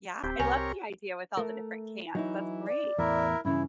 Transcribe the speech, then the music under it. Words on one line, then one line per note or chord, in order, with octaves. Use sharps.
yeah, I love the idea with all the different cans, that's great.
D1 C4 G4
C2 A#4 C#5 G#5
A3 A#4
E3 F#3 D#4 E4
D5
E2 A2 E4 A#4 E5
G2 C#3 E3 C#4 E4